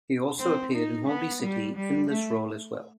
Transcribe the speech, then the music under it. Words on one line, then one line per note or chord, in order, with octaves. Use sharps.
He also appeared in "Holby City" in this role as well.
C4
D#4
B3
G3
G3
A3